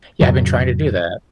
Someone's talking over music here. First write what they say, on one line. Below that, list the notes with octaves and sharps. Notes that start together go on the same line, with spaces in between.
Yeah, I've been trying to do that.
F2 A2 C#3 F#3